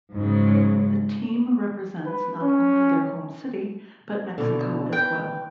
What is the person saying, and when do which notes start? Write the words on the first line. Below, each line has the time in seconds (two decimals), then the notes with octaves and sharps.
The team represents not only their home city, but Mexico as well.
0.13 G#2 C#3 F#3
2.06 B4
2.42 C#4
4.38 B2 D3
4.93 B4 G5